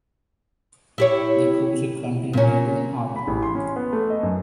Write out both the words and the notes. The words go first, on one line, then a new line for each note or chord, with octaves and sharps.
The cruiser continued into the harbor.
E4 G4 C#5
A#2 C#4
B5
A1
C6
C#4
B3
A3
D#5
F#2